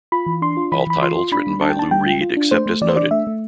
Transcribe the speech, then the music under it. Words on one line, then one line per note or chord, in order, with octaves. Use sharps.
All titles written by Lou Reed except as noted.
F4 B5
E3
D4 C6
F4
E3 B5
E3 B5
F4 C6
F4
D4 B5
G3
D4 A5
G5
D4 A5
G3 G5
F4
F4
D4
A3 C5
A3
E3 D5
C5
D4 D5
A3 E5
A3